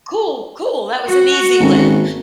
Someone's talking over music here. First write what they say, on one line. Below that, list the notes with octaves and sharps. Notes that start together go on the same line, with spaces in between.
Cool, cool. That was an easy win."
F#4
G#1 A#3 C#4 A4